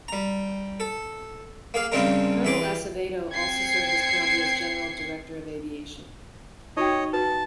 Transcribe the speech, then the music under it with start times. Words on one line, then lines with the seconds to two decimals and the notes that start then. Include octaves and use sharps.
Colonel Acevedo also served as Colombia's General Director of aviation.
0.08 G3 A#5
0.80 A4
1.74 A#3 G#4 F5
1.92 C#3 G3 G#3 C4 D4 A#4
2.44 E3 G#4 D6
3.32 C4 G5 G#6 C7 C#7
6.77 D#4 F#4 C#5 D#5 G5
7.13 F#4 B4 A5